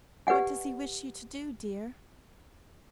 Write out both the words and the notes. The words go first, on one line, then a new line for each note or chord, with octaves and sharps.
'What does he wish you to do, dear?'
G4 B4 D5 F#5 G#5